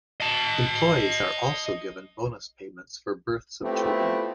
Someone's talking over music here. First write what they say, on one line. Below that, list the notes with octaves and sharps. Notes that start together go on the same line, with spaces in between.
Employees are also given bonus payments for births of children.
D#5 A5
A3 B3 C4 E4 F4 G4